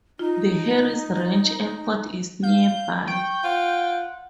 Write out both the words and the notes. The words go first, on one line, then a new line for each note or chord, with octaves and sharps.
The Harris Ranch Airport is nearby.
D#4 F4
F5 G6
G5 C#6
F4 F#5